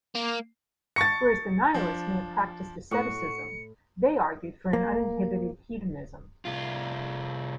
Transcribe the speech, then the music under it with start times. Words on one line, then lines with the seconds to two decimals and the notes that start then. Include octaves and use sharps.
Whereas the nihilist may have practiced asceticism, they argued for an uninhibited hedonism.
0.15 A#3
0.96 A5 C#6 A6 A#6 C#7
1.74 F3 D4
2.91 A2 F#4 C#7
4.73 A#3
6.45 C2 F4